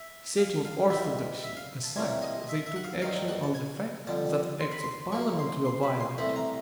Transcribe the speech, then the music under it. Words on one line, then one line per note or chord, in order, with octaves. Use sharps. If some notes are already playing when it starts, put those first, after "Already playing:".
Setting orthodoxy aside they took action on the fact that Acts of Parliament were violated.
Already playing: E5
F5
F5
G#2 E3 G3 E5
E5
F5
A5
C3 E3 G3 A#3 C#4 G#5
D#5
E5
E5
F#5
F5
G2 D#3 F#3 F5
F#5
A5
G#5
F2 D3 G3 A5
C6
B5
C6
F#2 C#3 F#3 A#3 C#6
C6
C6
B5
C6
C2 C3 E3 A3 B5
A#5